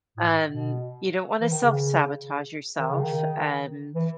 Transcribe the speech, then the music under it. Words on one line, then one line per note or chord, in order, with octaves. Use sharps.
um, you don't wanna self-sabotage yourself, and
A2
B2
E3
D#3
C#3
D#3
C#3
D#3
E3